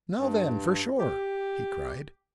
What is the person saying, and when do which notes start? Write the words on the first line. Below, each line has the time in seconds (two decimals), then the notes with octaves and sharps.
"Now, then, for shore," he cried.
0.19 G2
0.99 G4